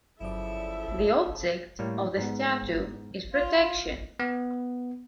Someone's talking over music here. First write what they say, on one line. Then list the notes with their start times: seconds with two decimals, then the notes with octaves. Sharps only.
The object of the statute is protection.
0.20 G1 C#3 F3 F#3 E4 A4 D5 E5
1.79 A2 G3 A#3 C#5
2.17 G#2 B3
3.33 F4
4.20 B3